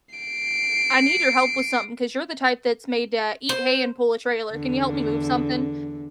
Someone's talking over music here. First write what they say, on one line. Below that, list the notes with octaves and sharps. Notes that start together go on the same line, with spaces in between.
I need your help with something 'cause you're the type that's made to eat hay and pull a trailer. Can you help me move something?"
C7 D7
C5
E2 D3